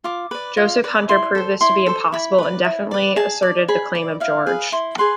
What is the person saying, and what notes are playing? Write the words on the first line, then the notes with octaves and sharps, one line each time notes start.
Joseph Hunter proved this to be impossible, and definitely asserted the claim of George.
F4 D6
B4 D5
F4
B4 D5
E4 C6
A4 C5
E4 C6
A4 C5
E4 B5
B4 D5
E4
B4 D5
G#4 A5
D5
G#4 B5
D5
E4 F5
G#4 B4
E4 C6
G#4 B4 C6